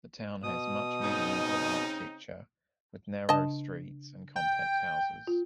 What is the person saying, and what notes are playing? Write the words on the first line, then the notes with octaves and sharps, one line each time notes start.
The town has much medieval architecture, with narrow streets and compact houses.
B2 D#6
C#3 C4 D#4
C#3 D4 D#5 A5
G5
F4